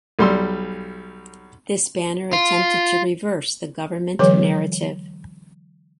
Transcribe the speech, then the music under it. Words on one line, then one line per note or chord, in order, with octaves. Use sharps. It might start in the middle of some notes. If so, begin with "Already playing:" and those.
This banner attempted to reverse the government narrative.
B1 G3 C6 E6
F4
D3 E3 F#3 G#3 C#5 D6